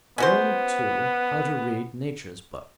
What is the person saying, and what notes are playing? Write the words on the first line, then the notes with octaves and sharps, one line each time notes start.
Learn, too, how to read Nature's book.
B3 C#4 F#4 C5